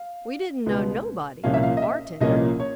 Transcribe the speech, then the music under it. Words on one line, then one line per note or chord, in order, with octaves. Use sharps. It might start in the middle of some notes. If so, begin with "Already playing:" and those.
We didn't know nobody but the bartender.
Already playing: F5
C#2 B2 G#3 B3
C2 A#2 F3 A#3 C#4 F5
E5
F5
D#5
E5
C2 A#2 F3 A#3 C#4 D#5
C#5